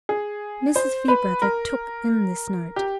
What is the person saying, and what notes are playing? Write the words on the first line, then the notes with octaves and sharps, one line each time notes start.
Mrs. Fairbrother took in this note.
G#4
C5
B4
A#4
G4